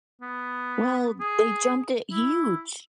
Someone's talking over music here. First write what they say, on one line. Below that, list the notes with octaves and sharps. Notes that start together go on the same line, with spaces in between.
Well, they jumped it huge.
B3
G#4
E4